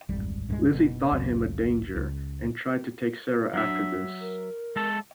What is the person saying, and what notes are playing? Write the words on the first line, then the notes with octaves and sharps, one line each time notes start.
Lizzie thought him a danger, and tried to take Sarah after this.
D1 G#1 F2 G3
C2 G2 A#2 G#3
F#1 B2
G#1 C#2 F#2 C#3
C#2
F#3 D4 E5
A#4
G#3 A4 A5